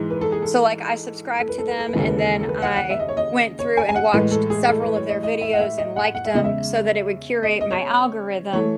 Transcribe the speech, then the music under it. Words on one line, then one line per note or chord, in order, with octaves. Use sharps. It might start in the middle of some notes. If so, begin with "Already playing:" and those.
so, like, I subscribed to them and then I went through and watched several of their videos and liked 'em so that it would curate my algorithm
Already playing: G#2 E3 G#3
B4
A4
G#4
A4
A4
B4
A4
B4
A4
B4
D#2 C#3 E3 G#3 A4
B4
A4
A4
B4
F#5
F#5
E5
D#5
C#5
D#5
C#5
G#5
G#5
F#5
A2 E3 G#3 B4
A4
G#4
A4
B4
C#5
D#5
D#5
E5
F#5
E5
D#5
F#5
F#5
E5
E2 C#3 G#3 D#5
E5
D#5
D#5
C#5
E3 A3 C#5